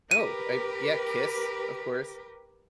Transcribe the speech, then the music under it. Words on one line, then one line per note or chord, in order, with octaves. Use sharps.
Oh, I yeah, Kiss, of course.
G4 A#4 B4 D#7